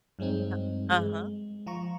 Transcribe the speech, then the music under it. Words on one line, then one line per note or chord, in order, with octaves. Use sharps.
Uh uh-huh.
G2 F#3 G#3 C4 D#4
G#3
F3 F4 A#5 C#6